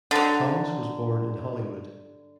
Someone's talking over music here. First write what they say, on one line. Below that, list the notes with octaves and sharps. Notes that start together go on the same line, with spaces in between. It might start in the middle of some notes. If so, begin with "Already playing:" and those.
Thomas was born in Hollywood.
D3 F#3